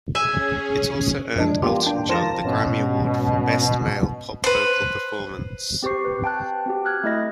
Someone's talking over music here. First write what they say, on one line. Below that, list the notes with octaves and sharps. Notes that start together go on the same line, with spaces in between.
It also earned Elton John the Grammy Award for Best Male Pop Vocal Performance.
C#4 G#4 E5 G#5
F#2 F3 G#3 D4
A#3 B3 F4 G4
D4 G5
F2 F3 F4 A#4 A5 A#6
G#2 B2 B3 C#4
B4 C5
C4 G4 C5 C#6 C7
B4
G5 A5 F#6
C4 F#4 G4
F6 F#6 G#6
A3 E4 D#5 A#6